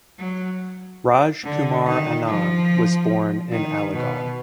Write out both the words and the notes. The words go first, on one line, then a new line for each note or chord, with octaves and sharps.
Raaj Kumar Anand was born in Aligarh.
F#3
D3
D#3
F3
D#3
B2